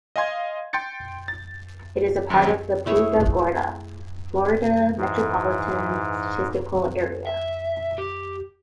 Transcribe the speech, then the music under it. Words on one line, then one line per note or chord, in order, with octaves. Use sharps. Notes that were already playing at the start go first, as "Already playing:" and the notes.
It is part of the Punta Gorda, Florida Metropolitan Statistical Area.
D#5 F5 G#5 C6 G#6
G5 C6 G6 A6 C#7
A6
G#1 F#2
A3 E4 G#4 C#5
G#2 E3
E5
G4